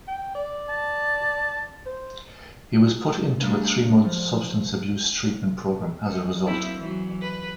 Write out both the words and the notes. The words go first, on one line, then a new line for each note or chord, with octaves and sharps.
He was put into a three-month substance abuse treatment program as a result.
G5
D5
A5
C5
G3 A3 A#3 D4
F3
F#2 F#3
A#3 C4 E4
E3 F#3
B4